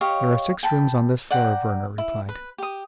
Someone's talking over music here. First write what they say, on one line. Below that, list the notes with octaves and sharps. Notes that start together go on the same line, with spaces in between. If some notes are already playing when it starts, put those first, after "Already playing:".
"There are six rooms on this floor," Werner replied.
G4 C#5 D#5 F5
G5 A5 B5
D5 F#5 G5 A#5
E4
B4
G4 D#6